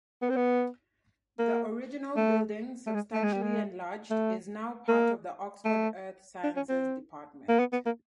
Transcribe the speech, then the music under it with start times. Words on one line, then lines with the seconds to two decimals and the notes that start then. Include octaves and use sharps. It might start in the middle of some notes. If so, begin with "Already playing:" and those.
The original building, substantially enlarged, is now part of the Oxford Earth Sciences Department.
0.22 B3
0.30 C4
0.36 B3
1.39 A#3
2.17 A3
2.87 A3
2.94 G#3
3.13 A3
3.23 G#3
3.33 G3
3.42 G#3
4.10 A3
4.88 A#3
5.65 A3
6.44 D4
6.56 C#4
6.69 C4
7.49 A#3
7.59 B3
7.73 B3
7.86 A#3